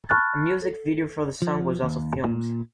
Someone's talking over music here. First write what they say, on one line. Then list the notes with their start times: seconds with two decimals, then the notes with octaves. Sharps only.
A music video for the song was also filmed.
0.09 A5 B5 C#6 F6 F#6 A6
0.62 A4
1.42 F3
1.82 D#2
2.24 A#2